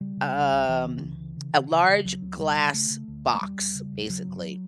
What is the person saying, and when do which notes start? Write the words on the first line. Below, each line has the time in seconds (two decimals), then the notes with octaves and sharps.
um, a large glass box, basically,
0.01 C#3 G3
0.17 C#3
0.34 C#2
0.52 C#2
0.68 C#2 E3
0.86 C#3
1.02 C#2
1.20 C#3
1.37 C#3
1.54 C#3
1.71 C#3
1.88 C#3
2.05 D2 F#3
2.22 D2
2.39 C#3 G3
2.57 C#3
2.73 C#3 A3
2.90 C#3
3.08 D2
3.24 E1
3.35 A3
3.41 E1 G3
3.58 E1
3.75 C#3
3.93 E1
4.10 C#3 F#3
4.27 G1